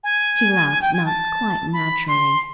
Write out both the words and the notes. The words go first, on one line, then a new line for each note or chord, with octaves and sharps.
She laughed, not quite naturally.
G#5
G5
G#5
A5
B5
C6